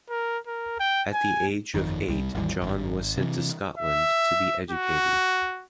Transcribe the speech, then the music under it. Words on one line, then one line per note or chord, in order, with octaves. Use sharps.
At the age of eight John was sent to Scotland to be educated.
A#4
A#4
G5
G#5
G1 F2 D#3
C2 G3
G#1 D#2 E3 G3
G#1
C3 E3
E5
F#4